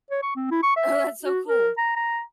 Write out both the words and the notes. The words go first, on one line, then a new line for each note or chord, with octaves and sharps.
Oh, that's so cool.
C#5
C#6
C4
E4
C#6
E5
F#4
A#4
A#5
A#5